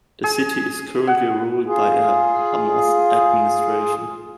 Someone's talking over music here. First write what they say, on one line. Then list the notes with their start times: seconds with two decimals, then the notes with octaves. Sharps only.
The city is currently ruled by a Hamas administration.
0.24 G#4
1.07 F#5
1.66 F4 G#4